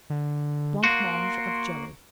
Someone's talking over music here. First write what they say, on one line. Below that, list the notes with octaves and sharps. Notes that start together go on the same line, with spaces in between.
Blancmange of Jelly.
D3
A#3 F#4 C6